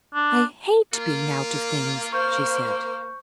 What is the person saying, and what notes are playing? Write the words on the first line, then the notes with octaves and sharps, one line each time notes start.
"I hate being out of things," she said.
D4
A#3 F4
C5 C#6 F6 G6